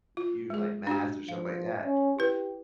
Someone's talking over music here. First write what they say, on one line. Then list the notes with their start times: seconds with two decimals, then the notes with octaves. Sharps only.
you like math or something like that
0.17 F4
0.50 G#3 G#4
0.87 D4 F#4 G4
1.28 F3 F5
1.85 C#4
2.19 E4 G4 B4